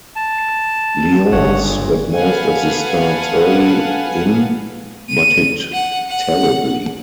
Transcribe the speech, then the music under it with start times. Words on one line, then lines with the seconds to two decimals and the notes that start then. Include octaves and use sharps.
Lyons got most of the starts early in but hit terribly.
0.16 A5
1.32 G1 G2 C#5 F#5
1.63 A#2
2.15 A4 B4 F5 F#5 G#5
5.10 D#7
5.73 F#5
6.09 F#5